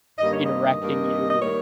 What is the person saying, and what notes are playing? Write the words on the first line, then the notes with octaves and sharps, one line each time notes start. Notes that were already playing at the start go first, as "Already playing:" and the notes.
redirecting you, and
G2 D#3 G3 A#3 D#5
C#5
D#5
G2 D#3 G3 A#3
D#5
D#3 G3 A#3 C#5